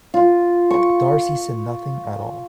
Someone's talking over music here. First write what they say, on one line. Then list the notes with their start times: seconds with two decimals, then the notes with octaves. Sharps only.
Darcy said nothing at all.
0.14 F4
0.70 C#6